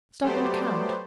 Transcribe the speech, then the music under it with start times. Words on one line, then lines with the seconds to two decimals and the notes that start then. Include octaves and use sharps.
Stop and count.
0.22 F#3 A3 B3 G4 C5 D5